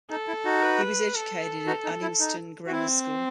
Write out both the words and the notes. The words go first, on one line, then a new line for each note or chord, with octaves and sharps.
He was educated at Uddingston Grammar School.
D#4 A4
E4
D#4 F#4
B4
A4
D#4 F#4
D#4
E4
D#4
F#4
C4 E4